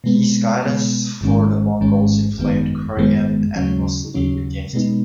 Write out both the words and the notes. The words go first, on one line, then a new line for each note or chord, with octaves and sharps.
His guidance for the Mongols inflamed Korean animosity against him.
B2 G#3 B3
B2 G#3 B3
G#1 G#2 D#3 G#3 C#4
G#1 G#2 D#3 G#3 C#4
G#1 F#2 D#3 G#3 B3
G#1 F#2 D#3 G#3 B3
D#2 C#3 F#3 C#4
D#2 C#3 F#3 C#4
B2 G#3 B3 D#4